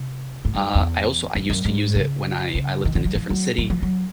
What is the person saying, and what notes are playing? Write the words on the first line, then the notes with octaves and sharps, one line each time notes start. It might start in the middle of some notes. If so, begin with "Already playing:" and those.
Uh, I also I used to use it when I I lived in a different city,
Already playing: C3
G#2
G2
E2
F2
F#2
G#2
C#3
C#3
D#3
D3
F#3
F3
F#3
F#3
F3
F#3